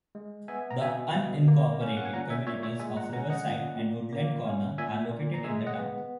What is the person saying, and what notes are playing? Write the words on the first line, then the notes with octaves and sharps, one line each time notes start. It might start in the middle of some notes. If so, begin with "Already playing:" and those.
The unincorporated communities of Riverside and Woodland Corner are located in the town.
G#3
B3 E5 G#5
A#5
B2 E5 G#5
B2
A#3
C#4
F#5
G#5
A#2 F#5 A#5
E5 G#5
A#2 C#5 E5
C#5 E5
G#3 E5 G#5
F#5 A#5
C#4 F#5 A#5
D#5 F#5
A#2
A#2
A#3
C#4
A#2 E5 G#5
A#2
A#5
G#3 E5 G#5
D#5 F#5
B3